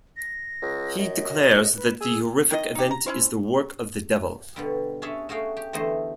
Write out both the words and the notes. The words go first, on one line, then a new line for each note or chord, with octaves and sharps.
He declares that the horrific event is the work of the devil.
A#6
C#2
F#2 D#5
B4
G#4 E6
D#3 D#5
D#4 G4
A#5
C#4 E4 C5
B2 D3 G3
C#4 D4 G#4 C#5 E5
A3 F#4 G#4 F5 G5
G4
E2 D3 A3 C5 D#5